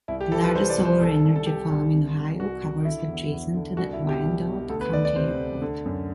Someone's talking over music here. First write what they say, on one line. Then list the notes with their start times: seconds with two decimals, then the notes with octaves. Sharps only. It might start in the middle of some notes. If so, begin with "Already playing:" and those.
The largest solar energy farm in Ohio covers adjacent to the Wyandot County Airport.
0.08 C2 E4
0.21 G4
0.32 E3 A4
0.44 B4
0.55 C2 C5
0.70 D5
0.78 C2
0.85 C5
1.01 C2 A4
1.25 C2
1.36 A4
1.46 C2 G4
1.70 C2
1.93 C3
2.16 C2
2.39 C2 F#4
2.62 C2
2.85 D3 E4
3.08 E2
3.32 E2
3.54 D3
3.77 C2 F#4
3.93 E4
4.01 B2
4.09 G4
4.24 C2
4.47 B2
4.69 D2 A4
4.81 B4
4.93 D2 D5
5.05 D5
5.16 C3 C5
5.39 D2
5.62 D3
5.86 F#2